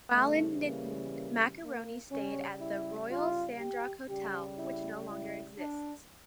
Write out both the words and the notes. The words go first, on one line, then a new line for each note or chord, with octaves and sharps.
While in Niton, Marconi stayed at the Royal Sandrock Hotel, which no longer exists.
C#3 E3 G3 A3
A#3
A#3
A#3
C#3 G3 C#4
E4
F4
G4
C#3 G3 G4
E4
E4
D4